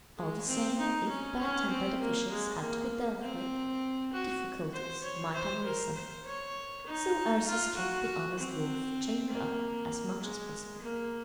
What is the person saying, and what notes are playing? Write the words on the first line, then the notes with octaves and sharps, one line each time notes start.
All the same, if bad-tempered officials had to be dealt with, difficulties might have arisen; so Ursus kept the honest wolf chained up as much as possible.
G#3
C4
D#4
C#4
C#4
C4
A#3
G#3
A#3
C4
F#4
C5
C#5
C5
A#4
C5
C#5
D#4
F4
F#4
C4
A#3
G#3
A#3